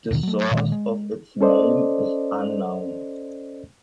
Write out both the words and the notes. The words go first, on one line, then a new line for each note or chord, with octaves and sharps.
The source of its name is unknown.
D#1 B2 D#3
F#3 A3
A#2 D#3 G#3
G#3
C#4 A4 C5 D5 D#5